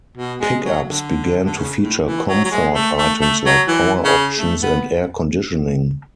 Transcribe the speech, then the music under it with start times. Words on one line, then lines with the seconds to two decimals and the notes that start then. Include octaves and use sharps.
Pickups began to feature comfort items like power options and air conditioning.
0.17 B2
0.40 G#3
0.65 F#3
0.88 D3
1.46 D3
1.58 C#3
1.81 A2
2.05 E3
2.28 F#3
2.44 F#3
2.51 G#3
2.74 A3
2.98 A3
3.21 A3
3.46 F#3
3.68 E3
4.04 C#3
4.38 A3
4.63 B3